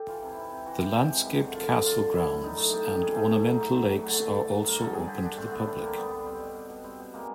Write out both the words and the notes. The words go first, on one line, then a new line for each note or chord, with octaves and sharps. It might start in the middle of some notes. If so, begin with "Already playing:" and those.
The landscaped castle grounds and ornamental lakes are also open to the public.
Already playing: G4 A4
E3 F4
C3
E4
C3
C3
E3 F#4
C3 G4
G#3 G4
C3 G4
F#2 F#4
D3
D3 F4
D3
F#2 F4
D3
F#2 E4
D3
A2 D#4
A3
A2 G4
A2
A3 G#4
A3
A3
F#3
A3
F#3
F#3
D3
D3
D3
F#3
G2 A#4
D3 A4
F#3 G#4
D3 G4
D3 D4
A3 C4
D3 B3
D3 A3
D3 A#3
G3 B3
G3
G3 C4
B2
B2
B2
G3 C4
B2
G#3 A#3